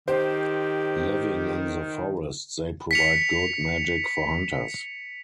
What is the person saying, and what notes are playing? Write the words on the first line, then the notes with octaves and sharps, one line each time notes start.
Living in the forest, they provide good magic for hunters.
D#3 G4 C5
B6 C#7 F7